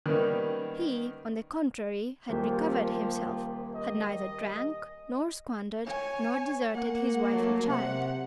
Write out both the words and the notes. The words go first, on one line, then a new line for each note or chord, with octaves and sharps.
He, on the contrary, had recovered himself, had neither drunk nor squandered, nor deserted his wife and child.
D#3 G3 A#3 B3 C#4 D#4
D#1 F3 A#3 G4
D#5
C#5 G#5
A#3 F#5
F#3 A3
C3 F#5